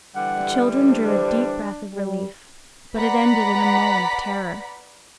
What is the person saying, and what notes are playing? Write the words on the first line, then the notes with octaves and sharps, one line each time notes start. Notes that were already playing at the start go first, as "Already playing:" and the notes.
The children drew a deep breath of relief, but it ended in a moan of terror.
D3 E3 G3 F#5
D4 C5
G3
B4 D5 F#5 A#5 B5 B6